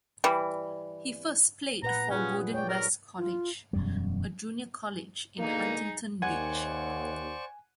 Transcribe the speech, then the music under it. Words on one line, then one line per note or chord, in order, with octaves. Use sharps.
He first played for Golden West College, a junior college in Huntington Beach.
E3 G3
A#2 B4 F#5 A#5
G3 C#4 F4 G#4
C#5 D5 G5
A#4
F4
E1 F#2 G3
B2 D3 A#3 D#4 G#4
D#2 C5 D5 F#5 G#5 C#6 G#6